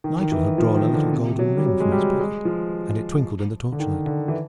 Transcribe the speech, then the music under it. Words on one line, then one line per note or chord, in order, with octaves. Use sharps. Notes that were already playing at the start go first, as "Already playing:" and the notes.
Nigel had drawn a little golden ring from his pocket, and it twinkled in the torchlight.
D#3
D#3
E3
F3
D#3
D3
C3
F#3
G3
F#3
G#3
G3
G#3
F3
D3
D#3
D3
E3